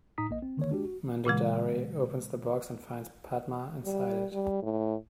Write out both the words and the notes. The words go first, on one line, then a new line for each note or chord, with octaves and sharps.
Mandodari opens the box and finds Padma inside it.
A2 D#4 A#5 D#6 B6
A#1 A#3 D#5
C4
D3 D#3 A#3 C#5
G#3 D4 F#4 G4
F#4
A#2 C#3 E3 G#3
G3
G3
A2